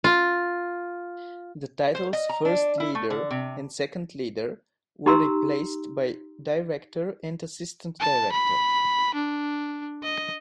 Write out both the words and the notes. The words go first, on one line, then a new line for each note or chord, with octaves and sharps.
The titles First Leader and Second Leader were replaced by Director and Assistant Director.
F4
C5
D#5
A#5
D4
E4
A3
D3
C3
D#4 G4 A#5 C6 E6
A5
B5
D4
D#5